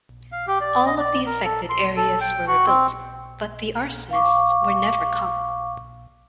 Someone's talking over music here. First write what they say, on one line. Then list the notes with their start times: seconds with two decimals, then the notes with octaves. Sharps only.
All of the affected areas were rebuilt, but the arsonists were never caught.
0.32 F5
0.47 G4
0.61 D5
0.86 D#5
0.99 D5
1.26 A#4
1.44 A4
1.70 C6
1.96 A4
2.21 G5
2.47 F#4
2.66 C4
4.11 F5 C#6 D6